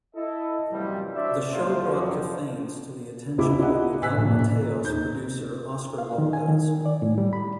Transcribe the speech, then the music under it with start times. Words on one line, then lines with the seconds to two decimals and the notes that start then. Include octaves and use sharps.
The show brought Cafaines to the attention of Miguel Mateos' producer Oscar Lopez.
0.15 E4 A4 D#5
0.71 F#2 A2 C3 E3 F3 G3
1.14 D4 F#4 C5 D5 E5
1.51 G1 D#2 A2 A#3 F4 C5
1.82 F2 F3 F#3
3.38 C#2 C#4 E4 D6
3.59 D4 E4 F4 G4 D#5 F#5
4.02 A1 G#5 E6 F#6 B6
4.17 A#1 A#2
4.41 A#2
4.83 D#2 D#4 G6
5.98 F5
6.18 D#3
6.33 G#5
6.48 D#3
6.85 D5
7.02 A2
7.18 G3
7.33 B5